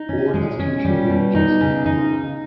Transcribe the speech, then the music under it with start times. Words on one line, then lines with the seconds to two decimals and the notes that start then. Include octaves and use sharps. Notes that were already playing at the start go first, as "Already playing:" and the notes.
Ward has two children, Jason and Brooke.
Already playing: D#4
0.09 C#4
0.34 G#3
0.59 C#4
0.85 G3
1.10 B2
1.35 D#4
1.61 C#3
1.86 D#4